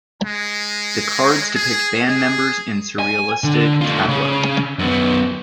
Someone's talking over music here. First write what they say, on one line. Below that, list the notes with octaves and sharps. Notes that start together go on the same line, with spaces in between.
The cards depict band members in surrealistic tableau.
G#3
G#4
G#4
G#5
D3
A3 F4
C#3
F#2 B3